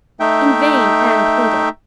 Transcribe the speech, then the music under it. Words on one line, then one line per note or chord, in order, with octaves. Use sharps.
In vain Anne pleaded.
A3 D#4 E5 G5